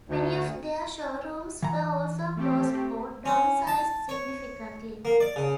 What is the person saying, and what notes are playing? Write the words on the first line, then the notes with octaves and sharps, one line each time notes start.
Many of their showrooms were also closed or downsized significantly.
D2
E3 A#5
A3 C4 G4
C#4
A5
C#5
A#3
D5
C#3